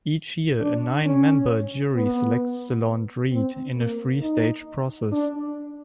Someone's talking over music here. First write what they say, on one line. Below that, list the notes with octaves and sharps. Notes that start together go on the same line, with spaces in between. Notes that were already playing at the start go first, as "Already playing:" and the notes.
Each year, a nine-member jury selects the laureate in a three-stage process.
D4
C#4
B3
C4
A#3
D#4
D4